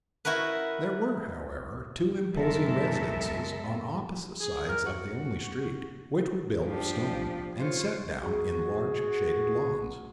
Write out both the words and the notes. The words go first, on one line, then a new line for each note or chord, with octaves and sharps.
There were, however, two imposing residences, on opposite sides of the only street, which were built of stone, and set down in large shaded lawns.
E4 F#4 A#4 B4
F#2 B2 G#3 A4 A#4 E5
G#4
A#4
F#4
F3 D4 G4
F4 C5 C#5
F#4 G#4